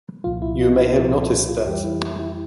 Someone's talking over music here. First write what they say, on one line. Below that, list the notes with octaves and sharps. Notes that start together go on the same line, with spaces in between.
You may have noticed that.
C2 A#2 F3 F4
E4
F4
F4
E4
C2 A#2 F3 F4
A4
F4
F2 E3 G3 G4
E4
E4
E4